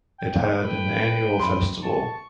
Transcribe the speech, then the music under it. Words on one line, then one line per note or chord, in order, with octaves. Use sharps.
It had an annual festival.
G5
A2 B4 G5
F#2 B5 C6
A5 C#6